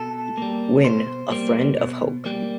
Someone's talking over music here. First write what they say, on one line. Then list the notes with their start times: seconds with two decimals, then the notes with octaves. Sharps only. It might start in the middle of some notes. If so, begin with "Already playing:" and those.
Wynne, a friend of Hoke.
Already playing: B2 A4
0.37 G3 A#3
0.84 B2 C5
1.32 G3 A#3
1.78 B2
2.26 G3 A#3